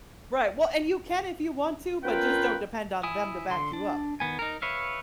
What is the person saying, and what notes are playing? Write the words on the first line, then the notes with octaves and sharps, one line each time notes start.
Right. Well, and you can if you want to, but just don't depend on them to back you up,
B3 C#4 F4 A#4 B4 G5
E4 G#5 D#6
D3 C6
D4
D#3 B3 G#5
D#4 A#4
B4 C#5 E5 F5